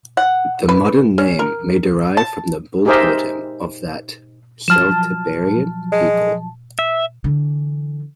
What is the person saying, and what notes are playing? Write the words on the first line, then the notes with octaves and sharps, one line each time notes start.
The modern name may derive from the bull totem of that Celtiberian people.
F#5
B4
C#4
A#4
A5
D#4 G4 G#4 A#4 C5 E5
F3 F#3 A5 F6 E7
G#3
E5
D3 E3